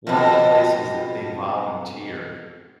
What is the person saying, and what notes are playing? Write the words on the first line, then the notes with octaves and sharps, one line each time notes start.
one of the places that they volunteered
F2 B2